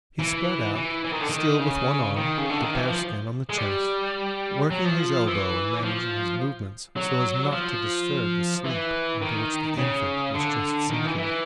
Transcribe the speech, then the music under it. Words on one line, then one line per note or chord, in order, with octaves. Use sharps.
He spread out, still with one arm, the bear-skin on the chest, working his elbow and managing his movements so as not to disturb the sleep into which the infant was just sinking.
E3
E3
E3
D#3
D3
D#3
C#3
D#3
C#3
D3
D#3
E3
F3
G#3
G3
F#3
F3
E3
F3
F#3
F3
E3
D#3
C#3
D3
D#3
E3
E3